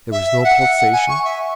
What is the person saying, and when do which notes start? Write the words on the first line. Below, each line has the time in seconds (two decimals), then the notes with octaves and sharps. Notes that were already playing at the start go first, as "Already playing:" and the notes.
There was no pulsation.
0.12 E5
0.44 F#5
0.76 F#5
0.92 G#5
1.08 C#6
1.24 E5